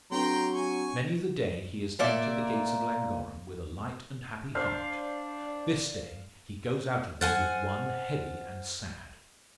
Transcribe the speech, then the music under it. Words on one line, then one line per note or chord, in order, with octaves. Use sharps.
Many the day he has entered the gates of Llangorren with a light and happy heart--this day he goes out of them with one heavy and sad.
F#3 C4 D4 G5 A#5 C6
G#5 C#6
A#2 A#3 D5 E5
D4 C5 D5 F5
C5 F#5 G#5 F6 F#6 A6